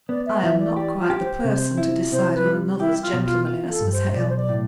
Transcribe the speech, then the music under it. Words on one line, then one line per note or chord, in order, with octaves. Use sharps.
'I am not quite the person to decide on another's gentlemanliness, Miss Hale.
B3 D5
E5
E3 E5
D5
G4 D5
F4
G4
C5
C3
E4
C3 C5
B4
G3
E4 G4
F4
B2
F4
F4
A4
G2
C5
B1 D5
C5
D5
A2